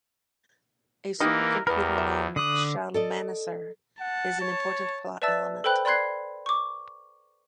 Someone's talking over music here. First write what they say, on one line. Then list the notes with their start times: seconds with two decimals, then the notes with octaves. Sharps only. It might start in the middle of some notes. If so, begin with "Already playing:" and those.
A supercomputer named Shalmaneser is an important plot element.
1.20 E3 A#3 D#4 G4 A#4 D#5
1.67 E2 G4 A#4 B4
1.98 E5
2.36 D3 D6 D#6 F#6
2.94 A4 D5 D#5
4.00 F#5 A5
4.41 C#5
5.22 B4 D5 E5 A5 E6 A6
5.64 A4 B4 C5 G5 B5 F#6
5.85 D5 B5 C6 F#6 G#6 C7
6.46 C#6 D6